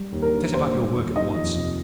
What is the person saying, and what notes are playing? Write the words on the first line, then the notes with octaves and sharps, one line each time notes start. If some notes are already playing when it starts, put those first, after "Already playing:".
'Set about your work at once.
Already playing: G3
D#2
A#4
D3
D#2 C5
G3
D#2
D#3 D#5
F2
C3